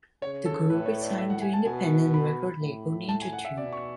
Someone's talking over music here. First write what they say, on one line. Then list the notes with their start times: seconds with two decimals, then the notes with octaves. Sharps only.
The group is signed to independent record label Ninja Tune.
0.22 C#3 C#5
0.46 A4
0.70 A2 B4
0.86 C#5
1.01 D5
1.18 E5
1.30 F#5
1.42 G#5
1.53 A5
1.65 B2 G#5
2.14 B5
2.61 A2
3.09 A5
3.22 G#5
3.33 F#5
3.45 E5
3.57 B2 D5
3.73 C#6